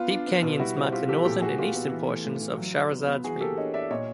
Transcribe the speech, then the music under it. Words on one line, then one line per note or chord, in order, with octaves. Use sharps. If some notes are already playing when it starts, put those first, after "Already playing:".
Deep canyons mark the northern and eastern portions of Shahrazad's rim.
Already playing: B3 F4
D4
B3
B2
G3 E4 F#4
C4
C4 F4 G4
E3 G4 A4
A#2 G4 A4
A#2 F#4 G#4
B3 F4 G4
B3
E3
A3
A2
E3
F#3
F#3
B3
B3
E3 F#4 G#4
A#3 G4 A4
D4 C#5 D#5
D4 D5 E5
A#2 C#5 D#5